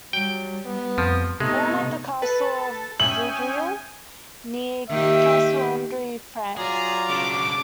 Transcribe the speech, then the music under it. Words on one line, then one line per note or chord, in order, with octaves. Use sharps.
Born at the Castle of Vaudreuil, near Castelnaudary, France.
F#3 G3 G5
B3
F2 F3
C3 G#3 A3 B3 D#4
A4 B4
C#4 E5 G5 G#5 D#6 F#7
D#3 A#3 G4 E5
F#3 F4 G#4 D5 A#5
C#3 D4 D6